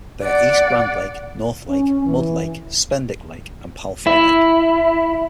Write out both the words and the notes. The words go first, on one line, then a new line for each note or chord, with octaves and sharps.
They are East Grand Lake, North Lake, Mud Lake, Spednic Lake, and Palfrey Lake.
D5 F#5
C#4
E3
E4